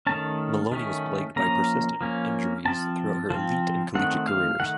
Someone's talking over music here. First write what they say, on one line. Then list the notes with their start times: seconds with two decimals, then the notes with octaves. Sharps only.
Maloney was plagued by persistent injuries throughout her elite and collegiate careers.
0.07 D#3 A3 C#4 A5
0.72 D#3 A3 C#4
1.36 F3 A#3 C#4 A#5
2.01 F3 A#3 C#4
2.65 F3 C4 A5
3.30 F3 C4
3.95 D#3 A3 C4 F#5
4.27 F5
4.60 D#3 A3 F#5